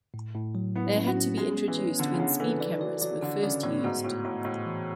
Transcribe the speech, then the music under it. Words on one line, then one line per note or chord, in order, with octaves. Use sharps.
They had to be introduced when speed cameras were first used.
A2
A2
F#3
B3 E4
C#4
F#4
C#4
G#3 B3
B3
E3
C#5
D3 B3
C#3
D3 C#5
E3 A4
E3 D5
F#3 D5
F#3 D5
D3 F#4
C#3 D5
A2 B3
G#2 F#4
A2 F#4
A2 F#4
A2 F#4
E3